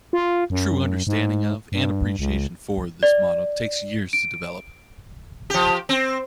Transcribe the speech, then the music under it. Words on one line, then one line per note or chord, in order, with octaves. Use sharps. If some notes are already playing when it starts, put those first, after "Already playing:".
True understanding of, and appreciation for, this motto takes years to develop.
F4
F#2
G#2
G2
C#2
D5
D7
F3 G4
C4